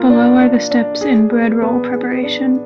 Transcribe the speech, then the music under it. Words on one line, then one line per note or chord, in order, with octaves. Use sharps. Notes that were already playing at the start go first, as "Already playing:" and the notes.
Below are the steps in bread roll preparation.
Already playing: A#3 F4
D4
D4
D4
G#4
B3
B3
G#4
D4